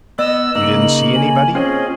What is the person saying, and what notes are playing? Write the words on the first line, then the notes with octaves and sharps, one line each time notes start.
"You didn't see anybody?"
B3 D#5 E6
C#3 A#3 D#4 F#7
G#5
C4 C#4 F4 G#4 D#5